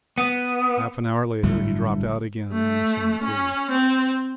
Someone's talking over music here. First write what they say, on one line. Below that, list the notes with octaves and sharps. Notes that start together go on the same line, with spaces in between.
Half an hour later he dropped out again on the same plea.
B3
G1 A2 F#3 A3
A3
C#4
C4